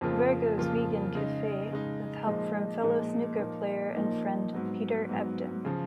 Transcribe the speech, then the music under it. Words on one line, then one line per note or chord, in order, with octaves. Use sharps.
Virgo's Vegan Cafe, with help from fellow snooker player and friend Peter Ebdon.
F2 C#3 F3 A#3 F4
F2 C#3 F3 A#3 F4
C#3 G#3 D#4
C#3 G#3 D#4
A#2 F3 G#3 D#4
A#2 F3 G#3 D#4
A#2 F3 A#3 D#4
A#2 F3 A#3 D#4
G#2 F#3 B3
G#2 F#3 B3
C#3 F3